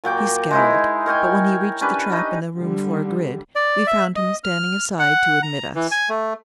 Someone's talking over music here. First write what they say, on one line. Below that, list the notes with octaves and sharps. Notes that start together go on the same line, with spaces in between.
He scowled, but when we reached the trap in the room floor grid, we found him standing aside to admit us.
A#2 F#3 G5 D6
G#3 D#4 E4
A#4 C#5 G5 G#5
C#4 D4 G4 B4
D#4
D3 G3
D5
E5
D#5
F6
F#5
A#5
E3
G#5
A3